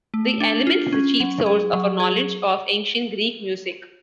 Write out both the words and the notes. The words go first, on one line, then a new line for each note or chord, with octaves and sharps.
The "Elements" is the chief source of our knowledge of ancient Greek music.
A3
D4
F4
C#4
F#3
G#4
F#3
G#4